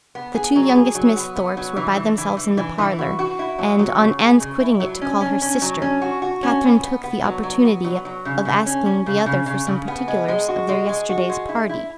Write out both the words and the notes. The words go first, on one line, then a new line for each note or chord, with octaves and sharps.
The two youngest Miss Thorpes were by themselves in the parlour; and, on Anne's quitting it to call her sister, Catherine took the opportunity of asking the other for some particulars of their yesterday's party.
B3
G#4
F#3
G#4
F#3
B3
B3
F#3
E3
E3
E3
E3
E3
E3
F#4
F#4
E4
F#3
F#3
C#3
G#4
C#3
E4
F#3
C#4
C#4
C#4
F#3
C#4
F#4
F#4
C#4
B3
B3
B3
F#3
F#3
B3
F#3
F#3
C#3
C#3
C#4
C#4
C#3
C#3
C#3
C#3
B3
G#3
G#3
F#4
G#3
G#3
F#4
G#3
E4
E4